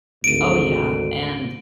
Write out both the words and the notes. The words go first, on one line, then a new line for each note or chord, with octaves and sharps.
Oh, yeah, and
G#1 D2 D7 D#7